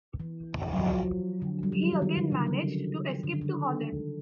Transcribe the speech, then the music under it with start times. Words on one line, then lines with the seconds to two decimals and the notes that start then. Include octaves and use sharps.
He again managed to escape to Holland.
0.20 E3
0.73 F#3
0.81 F3
1.42 D3
1.63 G3
1.72 F#3
1.82 F3
1.92 E3
2.02 D#3
2.17 D3
2.32 C#3
2.47 D3
3.23 D3
3.33 D#3
3.42 D3